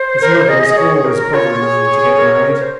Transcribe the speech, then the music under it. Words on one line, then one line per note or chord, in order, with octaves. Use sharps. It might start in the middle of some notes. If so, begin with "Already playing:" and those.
His mother was always bothering him to get married.
Already playing: C5
A#4
G#4 D#5
C#5
A#4
F4 C#5
G#4
G#4
A#4
C5